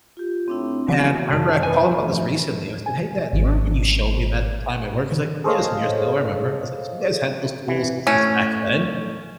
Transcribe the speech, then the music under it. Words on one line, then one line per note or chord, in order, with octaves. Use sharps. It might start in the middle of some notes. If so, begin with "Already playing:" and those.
And, I remember I called him about this recently. I w I said, "Hey, Dad, do you remember when you showed me that the time at work?" He's like, "Yeah, some years ago, I remember." I was like, "So you guys had those tools since back then?"
F4 G4
A2 C4 D4 E4
A2 E3 F#3 B3 F#4
C#2 F#2 C3 A5
E2 B4 C5 G#5
F3 A3
G#5
G#1
D#3
G#4 A4 C5 C#5 D#5 F5
E3
A2 A3 C#4 C#5